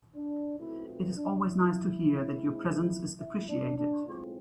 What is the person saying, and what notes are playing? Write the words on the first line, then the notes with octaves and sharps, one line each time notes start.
It is always nice to hear that your presence is appreciated.
D4
B1 B2 A3 C4 E4
F4
D4
E4
G#2 G#3 C4
E4
D4
D4
B1 A2 G#3 C4 F4